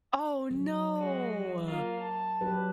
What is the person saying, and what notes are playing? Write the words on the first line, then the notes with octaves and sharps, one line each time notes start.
Oh, no.
F#3
G#3 F#4
A#3 F4
A5
F#3 G4 B4